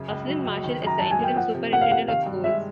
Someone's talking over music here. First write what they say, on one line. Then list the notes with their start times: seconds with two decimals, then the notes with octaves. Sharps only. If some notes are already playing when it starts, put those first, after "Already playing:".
Roslin Marshall is the Interim Superintendent of Schools.
Already playing: F#2 C#3
0.09 C#2
0.28 F#3
0.45 C#2
0.63 D#3
0.82 F#2 A#5
0.99 F#3 A5
1.11 G#5
1.19 A#3 G5
1.36 F3 F#5
1.55 C3
1.72 A#3 F#5
1.81 F5
1.90 C3 F#5
2.08 D#3 F5
2.26 G2
2.44 G#3 E5